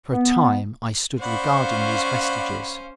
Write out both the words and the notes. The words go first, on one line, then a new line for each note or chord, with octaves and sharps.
For a time I stood regarding these vestiges. . . .
B3
C#4 C5 D5 F5 F#5 B5 C#6